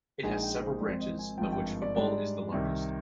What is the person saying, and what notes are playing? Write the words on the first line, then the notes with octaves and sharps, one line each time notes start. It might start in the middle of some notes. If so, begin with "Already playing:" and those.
It has several branches, of which football is the largest.
A#1 A#2 G#3 D#4 G#5
G5
C5
G#1 G#2 F3 C4 D5
D#5
G#5
G#1 G2 F3 G5
G5
D5
G#2 G3 D4 D5
C2 C3 D#3